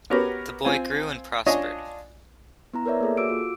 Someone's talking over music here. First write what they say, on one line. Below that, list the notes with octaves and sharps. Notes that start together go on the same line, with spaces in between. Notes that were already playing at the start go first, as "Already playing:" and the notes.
The boy grew and prospered.
B3 F#4 G4 A#4 B4 C#5
C4 F4 G#5
D4 F4 C#5 D#5 G#5
B3 E4 A#5
A#4 B4 C#5 D5 E5
A#3 G#4 A4
F#4 D6 E6 D7
F4